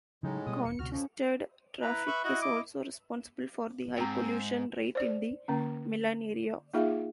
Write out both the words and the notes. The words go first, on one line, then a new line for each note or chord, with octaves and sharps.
Congested traffic is also responsible for the high pollution rate in the Milan area.
A2 C#3 F#3 G#3 D#4
B2 G3 D#6
E1 C#7
D2 C3 F#4 F6
F2 F3 C#4
E4 B4 A#5
E5 B5 C#6
E4 F#4 D#5
D6
G#2 C4 G5 A#5
C5 D5
D3 A#3 C#4
A#3 D#4 F4 G#4 E5 F5